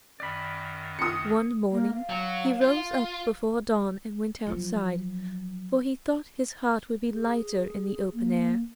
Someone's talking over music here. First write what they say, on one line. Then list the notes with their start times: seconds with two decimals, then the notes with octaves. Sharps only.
One morning he rose up before dawn and went outside, for he thought his heart would be lighter in the open air.
0.20 F#2 D#3 D5 B5
0.99 D#6 C#7
1.71 A#3
1.93 F5
2.10 F#3
2.61 F4
4.46 F3 F#3
7.11 G#4
8.13 A#3